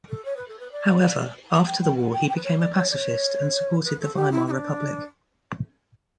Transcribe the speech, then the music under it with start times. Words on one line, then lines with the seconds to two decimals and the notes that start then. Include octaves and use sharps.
However, after the war he became a pacifist and supported the Weimar Republic.
0.09 A4
0.25 C#5
0.36 B4
0.48 A4
0.59 B4
0.71 D5
1.49 F#5
1.66 G5
1.81 G5
1.97 F#5
2.12 G5
2.28 G5
2.35 B4
2.44 C#5
2.59 D5
2.74 C#5
2.91 D5
2.94 C#5
3.84 B4
4.00 A4
4.15 G4
4.31 E4
4.47 E4
4.50 D4